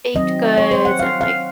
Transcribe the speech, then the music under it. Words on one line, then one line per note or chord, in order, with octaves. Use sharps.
baked goods and, like,
D#3 F#3 C4 D#5
C#5
C5
F#5
F5
F5